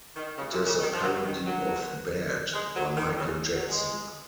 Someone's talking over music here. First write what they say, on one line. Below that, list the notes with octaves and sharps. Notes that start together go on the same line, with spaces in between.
It is a parody of "Bad" by Michael Jackson.
D#3
C#3
C3
C#3
D#3
F3
F#3
D#3
F#3
G#3
F#3
D#3
C#3
F#3
G#3